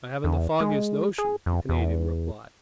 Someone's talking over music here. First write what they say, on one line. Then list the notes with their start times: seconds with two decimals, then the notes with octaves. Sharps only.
"I haven't the foggiest notion," the Canadian replied.
0.24 E2
0.61 G#3
1.18 G#4
1.46 F2
1.69 E2